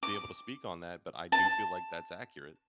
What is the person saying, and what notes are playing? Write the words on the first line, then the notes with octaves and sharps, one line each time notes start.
be able to speak on that, but I do feel, like, that's accurate.
D6
A5